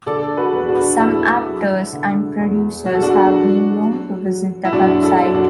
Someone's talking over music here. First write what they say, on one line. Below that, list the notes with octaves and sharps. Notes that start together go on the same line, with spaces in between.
Some actors and producers have been known to visit the website.
D3 A4 D5
F#4 B4
E2
D4 F#4
E2 E4 A4
F#3
D3
E2
E2 F#4
A4
D4 F#4
F#3
F#3
F#3
E4
F#2 D4 F#4
E4 A4
F#2
D4 F#4